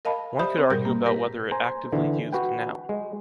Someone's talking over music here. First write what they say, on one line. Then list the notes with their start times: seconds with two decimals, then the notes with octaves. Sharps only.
One could argue about whether it actively used now.
0.05 A#4 D#5 F5 A5 B5
0.39 G4 C5 D5 E5 B5 D#6
0.58 C4
0.70 G#2 B2 G3 A#4 G6
0.85 A#3
1.05 G4 A#4 B4
1.51 C5 G#5 A#5
1.92 D3 E3
2.33 F#4 B4 G5
2.89 G#3